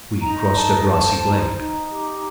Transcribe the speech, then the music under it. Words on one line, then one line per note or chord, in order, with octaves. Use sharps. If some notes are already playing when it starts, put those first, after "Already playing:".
We crossed a grassy glade.
D#4 A#5
A4 A5
C5 A5
D#4
D#4
G4